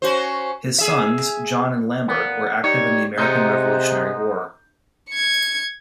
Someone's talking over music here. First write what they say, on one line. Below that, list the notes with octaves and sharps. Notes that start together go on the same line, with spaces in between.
His sons, John and Lambert were active in the American Revolutionary War.
C#4 F#4 C5
G#4 E5
A#2 B3
G3 D#4 C#5
C3 G#3 B3 D#4 A#5 C6 G6
G#6 C#7